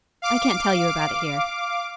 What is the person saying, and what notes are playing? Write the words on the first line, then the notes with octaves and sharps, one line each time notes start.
I can't tell you about it here.'
F5 D6